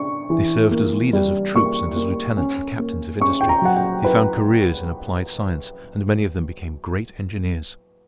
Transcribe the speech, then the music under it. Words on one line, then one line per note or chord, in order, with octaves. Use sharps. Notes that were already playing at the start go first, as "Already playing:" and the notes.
They served as leaders of troops and as lieutenants and captains of industry. They found careers in applied science, and many of them became great engineers.
Already playing: D4 C#6
E3
A#3
G3
A#3 C#6
A#3
C#4
A#3
C#4 C#6
G5
A#5
F#3 F#5
G5
E4 B4